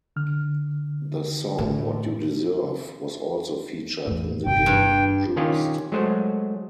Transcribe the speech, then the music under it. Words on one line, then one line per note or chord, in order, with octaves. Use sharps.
The song "What You Deserve" was also featured in the game "Juiced".
D3 F6
A2
E2 A2
G1 C3 G5
G2
D#3 C#4 F4 G4
F#3 G#3 A3 C5